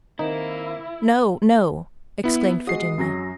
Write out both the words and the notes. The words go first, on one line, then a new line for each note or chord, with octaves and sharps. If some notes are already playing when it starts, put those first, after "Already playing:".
"No, no!" exclaimed Virginia.
D#3 A#3 C4 D#4 E4
B3 E4
G#3 F#4 D#6 C7
F#2 F#3 A#6